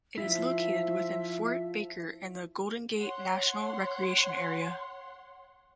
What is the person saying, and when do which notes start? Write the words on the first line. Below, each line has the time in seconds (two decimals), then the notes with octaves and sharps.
It is located within Fort Baker in the Golden Gate National Recreation Area.
0.18 F3 E4 F4 E5
2.99 C#5 F#5 C6